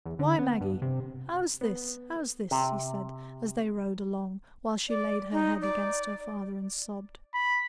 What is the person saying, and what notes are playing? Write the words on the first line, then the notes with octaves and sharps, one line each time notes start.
"Why, Maggie, how's this, how's this?" he said, as they rode along, while she laid her head against her father and sobbed.
E2
D3
B3
G2
C3
B3
C3
D5
D#4
D5
B5